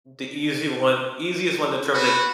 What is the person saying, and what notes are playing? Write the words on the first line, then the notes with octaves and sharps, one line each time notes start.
the easy one easiest one in terms of
F#4 B4